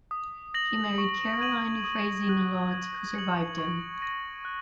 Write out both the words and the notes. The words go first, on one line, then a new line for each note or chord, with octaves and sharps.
He married Caroline Euphrasie Naulot, who survived him.
D#6
A#6 F#7
C#6
G#6 D#7 F#7
D#6
F#6 D#7 F#7
G#6
C#7 F#7
C#6
A#6 D#7
F#6